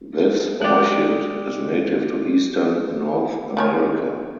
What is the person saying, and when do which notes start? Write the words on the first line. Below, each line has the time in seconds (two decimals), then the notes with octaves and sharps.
This orchid is native to eastern North America.
0.61 G#3 G4 D5 F#6
3.57 D#3 D4 C#5